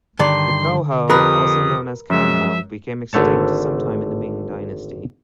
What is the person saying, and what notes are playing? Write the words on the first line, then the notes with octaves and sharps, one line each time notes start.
The "konghou", also known as "kanhou", became extinct sometime in the Ming Dynasty.
G2 D3 D#3 D5 C6
F2 G4 A#4 B4 D#6
F#2 F3 G#3 E5
G#1 D3 A3 C#5 A5